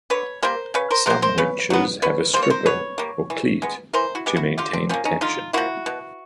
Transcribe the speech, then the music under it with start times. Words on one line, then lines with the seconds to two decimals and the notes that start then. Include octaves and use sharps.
Some winches have a "stripper" or cleat to maintain tension.
0.10 D3 B4 C#5
0.42 G3 A#3 A#4 C5
0.74 C#3 B4 C#5
0.91 A#4 C5
1.06 B3 A#4 C5
1.10 F#3
1.22 A#4 C5
1.38 C#3 B4 C#5
1.70 F#3 B3
2.02 B2 B4 C#5
2.34 G3 A#3 C5
2.43 C#5
2.50 A#4 C5
2.66 B2 B4 C#5
2.98 G3 A#3
3.30 E3
3.62 G#3 B3
3.93 E3 A#4 C5
4.15 E4 F#4
4.26 G#3 B3 G4
4.36 E4 F#4
4.58 D3 F4 G4
4.73 C4 D4
4.89 F3 A#3 B3 C#4
5.05 C#4 D#4
5.21 D3 D#4 F4
5.53 F3 A#3 E4 F#4
5.86 B2